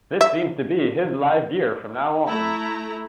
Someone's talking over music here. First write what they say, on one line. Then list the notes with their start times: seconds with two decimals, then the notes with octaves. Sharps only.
This seems to be his live gear from now on.
0.21 E5
2.28 A3 E4 A#5